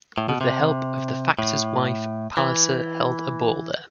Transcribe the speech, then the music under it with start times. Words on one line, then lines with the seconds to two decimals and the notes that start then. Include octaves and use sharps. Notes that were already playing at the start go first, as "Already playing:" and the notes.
With the help of the factor's wife, Palliser held a ball there.
0.18 A2
0.29 B2
0.41 C3
1.39 A2
2.37 E3